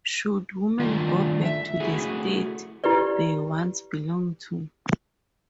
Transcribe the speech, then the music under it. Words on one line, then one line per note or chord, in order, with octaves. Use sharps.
Should women go back to the state they once belonged to.
D#3 G3 A3 D4 D#4 F4
E5
A3 E4 F#4 G#4
E4 G4 B4 D5